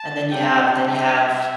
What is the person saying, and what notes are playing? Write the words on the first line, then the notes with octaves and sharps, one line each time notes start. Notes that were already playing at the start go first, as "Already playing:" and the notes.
And then you have then you have
Already playing: A5
C3 G3 D4 G5
E5